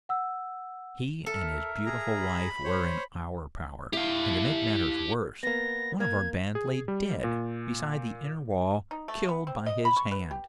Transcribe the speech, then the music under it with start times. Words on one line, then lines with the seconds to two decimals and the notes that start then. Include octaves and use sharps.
He and his beautiful wife were in our power, and, to make matters worse, one of our band lay dead, beside the inner wall, killed by his hand.
0.09 F#5 E6
1.26 A4 A#4 E5
1.86 G#4 A#5
2.20 B5
2.64 C5 C#5
3.93 E4 G4 F5
5.43 A#3 B3 A#6
6.00 A#3 G#6
6.55 G#4
6.88 G3
7.24 A#2
8.91 D#4
9.08 A3
9.29 B3
9.47 C4
9.66 D#5
9.85 B5
9.96 C#6
10.11 B4
10.31 G4